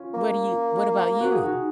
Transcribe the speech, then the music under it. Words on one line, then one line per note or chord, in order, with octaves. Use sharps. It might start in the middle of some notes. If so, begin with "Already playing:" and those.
What do you what about you?
Already playing: C#4 F4
A#3
F#4
G#4
D#4 F#4